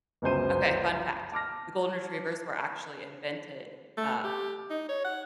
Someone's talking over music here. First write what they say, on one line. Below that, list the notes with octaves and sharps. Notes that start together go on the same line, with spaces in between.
Okay, fun fact. The golden retrievers were actually invented, um,
G1 C#2 F#2 C5 D#7
A5 D6 F6 A#6
A3
G4
D#4
C#5
F#5